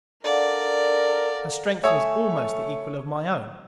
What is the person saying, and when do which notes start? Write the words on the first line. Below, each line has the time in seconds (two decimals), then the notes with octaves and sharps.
Her strength was almost the equal of my own.
0.24 D4 A4 A#4 D5 F5 F#5
1.84 A3 C#5 E5 G#5 D#6